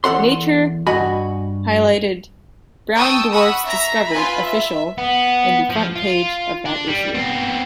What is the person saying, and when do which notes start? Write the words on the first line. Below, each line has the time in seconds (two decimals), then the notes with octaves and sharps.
"Nature" highlighted "Brown dwarfs discovered, official" in the front page of that issue.
0.04 E2 A4 F#5 C6
0.87 G2 F#4 D#5 G#5 B5
2.96 G5 A5 C#6 D#6 E6
3.32 F#5 B5 C#6 D#6 E6
3.64 E5 A#5
4.10 F4 B4 G#5 B5
4.42 E5
4.98 B3
5.70 F3
5.95 F4
6.66 D4
6.88 G3
7.15 B3 C4